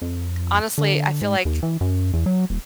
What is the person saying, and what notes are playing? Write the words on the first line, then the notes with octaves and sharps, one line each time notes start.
honestly, I feel like k
F2
D3
G#2
D#2
E3
F#2
E2
F#3
D#1